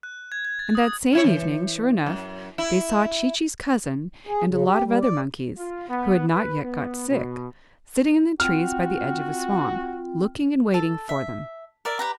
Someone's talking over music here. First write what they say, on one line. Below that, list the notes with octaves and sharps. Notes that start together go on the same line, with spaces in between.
And that same evening, sure enough, they saw Chee-Chee's cousin and a lot of other monkeys, who had not yet got sick, sitting in the trees by the edge of a swamp, looking and waiting for them.
F#6
G#6
G#6
A6
D#6
C#4 E4 C#5
E3
F#2
E4
G#4
C#3
G4
G3
D5
F4
B3
B4
B3
B2
C4 F4 F#4 G5 F6
A4
E5
A#4 D5 E5
G4 B4 A#5